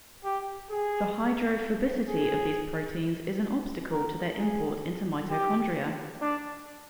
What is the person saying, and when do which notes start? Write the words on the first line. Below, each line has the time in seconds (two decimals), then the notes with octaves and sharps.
The hydrophobicity of these proteins is an obstacle to their import into mitochondria.
0.24 G4
0.70 G#4
2.08 G#4
3.91 A#4
4.37 G#4
5.30 G4
6.21 D4